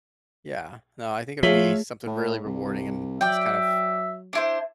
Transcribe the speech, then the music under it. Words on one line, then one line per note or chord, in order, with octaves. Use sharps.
Yeah. No, I think it'll be something really rewarding, and that's kind of
F3 A3 F4 G#4 C#5 E5 B6
A2
C2
F#3 D5 E5 G5
D4 E4 C5